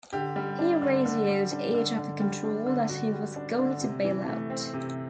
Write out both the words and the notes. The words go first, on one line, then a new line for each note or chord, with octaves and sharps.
He radioed air traffic control that he was going to bail out.
D3 G4
G3
D4
D3
D3
G3
D4
D3
D3
G3
D4
D3
D3 F#4
G3
D4
D3
C3
E3
A3
C4
C3